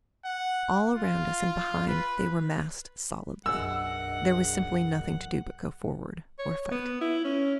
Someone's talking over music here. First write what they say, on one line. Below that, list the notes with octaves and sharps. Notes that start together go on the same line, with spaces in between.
All around us and behind they were massed solidly--there was simply nothing to do but go forward--or fight.
F#5
F4
B4
B1 F#2 D4 G#4 D#5 F#5 E6
C#5
B3
E4
C#4